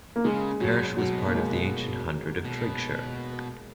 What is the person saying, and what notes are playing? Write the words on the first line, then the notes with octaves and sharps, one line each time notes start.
The parish was part of the ancient hundred of Triggshire.
A#3
C#3 G#3
B2 F#3
B2 F#3
A#3
G#3
B2